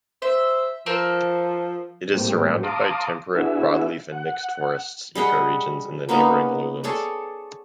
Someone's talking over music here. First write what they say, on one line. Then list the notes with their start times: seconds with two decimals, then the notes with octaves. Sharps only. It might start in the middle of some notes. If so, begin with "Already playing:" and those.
It is surrounded by temperate broadleaf and mixed forests ecoregions in the neighboring lowlands.
0.22 C5 E5
0.86 F3 A4 A#4 C5
2.13 A2 G3 A#3 C4 G4
2.63 F5 A5 A#5 C6 D6 D#6
3.36 B3 D4 E4 F#4 G#4 E5
4.12 F#5
5.15 G3 G#4 D#5 F#5
6.09 A#3 B3 C#4 D#4
6.84 G#4 A4 C#5 D5